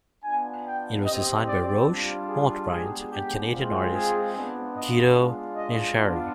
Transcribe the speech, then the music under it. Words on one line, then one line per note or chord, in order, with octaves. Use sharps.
It was designed by Roch Montbriant and Canadian artist Guido Nincheri.
B3 D4 F4 G#5
G5
C4 G4 D#5
D5
G3 D4 F4
G#4
G#3 B3 D4 G4 G#4
G4
G#3 C4 F4
G#4
B3 D4 F4
D#5
G#3 D4 F4
D#5
B3 D4 F4